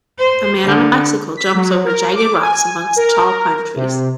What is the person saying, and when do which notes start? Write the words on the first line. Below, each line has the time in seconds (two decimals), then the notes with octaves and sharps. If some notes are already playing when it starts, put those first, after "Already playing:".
A man on a bicycle jumps over jagged rocks amongst tall pine trees.
0.18 C5
0.65 D3
1.37 B6
1.55 F#3
1.84 A#4
2.15 D6
2.41 G#5
2.96 A#4
3.24 A#4
3.76 C3